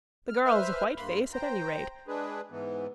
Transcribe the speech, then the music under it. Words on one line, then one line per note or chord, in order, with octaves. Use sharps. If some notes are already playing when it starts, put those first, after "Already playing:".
The girl's a white face at any rate.
F6
B4 C5 E5 F6
G2 A#3 B5 C6
C5 G5 A#5
G#3 D4 G#4 B4
G#2 E3 B3